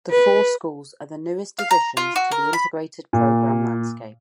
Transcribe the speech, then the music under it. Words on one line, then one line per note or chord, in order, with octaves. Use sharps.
The four schools are the newest additions to the Integrated Programme landscape.
B4
F5
A#5
F4
F#4
A#4
B5
A#2